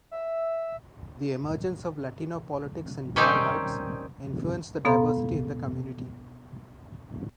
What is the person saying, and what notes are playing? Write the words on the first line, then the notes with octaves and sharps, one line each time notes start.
The emergence of Latino politics in Boyle Heights influenced the diversity in the community.
E5
D#3 G3 C4 C#4 D#4 G4
B2 B3 A4 F5 A#5 C6